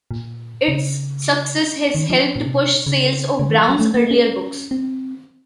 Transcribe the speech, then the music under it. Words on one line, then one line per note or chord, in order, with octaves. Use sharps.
Its success has helped push sales of Brown's earlier books.
A#2
C3
C#3
D#3
F3
A#2
C3
C#3
C#3
D#3
F3
F#3
A3
A#3
C#4
C4